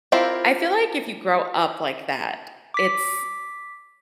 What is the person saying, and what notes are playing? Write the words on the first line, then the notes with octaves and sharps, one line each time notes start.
I feel like if you grow up like that, it's
C4 E4 F4 G4 A#4
D6 B6